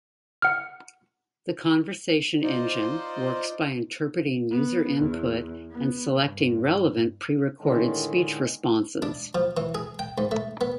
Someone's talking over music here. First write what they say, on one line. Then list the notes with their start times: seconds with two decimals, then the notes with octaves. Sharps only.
The conversation engine works by interpreting user input and selecting relevant pre-recorded speech responses.
0.42 F#5 F6
2.43 D#4 F4 C5 D5 D#5
4.51 B3
4.97 E2
5.71 B3
6.19 G2
7.61 A2 D3 D#3 G#3
9.02 D4
9.35 F3
9.57 E3
9.75 G#4
9.99 G5
10.18 G#2
10.31 A3
10.61 B3